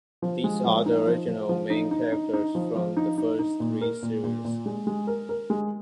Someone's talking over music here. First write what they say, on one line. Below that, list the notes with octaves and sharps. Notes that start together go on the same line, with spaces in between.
These are the original main characters from the first three series.
F3
G#3
F3
D#4
F3
F3
F3
D#4
D#4
D#4
D#4
F3
F3
D#4
D#4
D#4
A#2
A#4
A#2
A#2
A#2
G#3
G#3
A#4
A#4
G#3